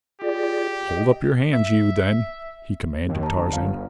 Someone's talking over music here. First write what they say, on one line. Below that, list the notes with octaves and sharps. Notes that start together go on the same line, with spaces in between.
"Hold up your hands, you, then," he commanded Tarzan.
F4 G4 G#4 D5
D#5
E5
D#2
A5 A#5
G1
F5